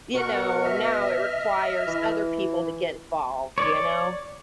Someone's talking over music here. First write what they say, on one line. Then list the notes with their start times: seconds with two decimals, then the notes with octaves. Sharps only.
you know now it requires other people to get involved, d you know?
0.15 B2 A#4 F#5 C#6
0.63 D#5 E5 F6
1.87 E3
3.58 C#5 D5